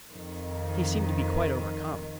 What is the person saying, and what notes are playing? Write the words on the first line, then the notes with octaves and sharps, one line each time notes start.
He seemed to be quite overcome.
F2 D#3